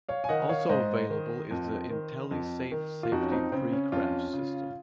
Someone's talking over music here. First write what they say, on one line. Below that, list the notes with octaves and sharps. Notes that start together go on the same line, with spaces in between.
Also available is the IntelliSafe safety precrash system.
C#5 F5
G#5
D#3 D#5 F#5
C#5 F5
G#2 C5 D#5
D#3
F2
D#3
F2
D#3
F4
F2 D#4 F#4
C#4
C4 D#4
C#3 C4
C#4
F2 C#4 F4
C#3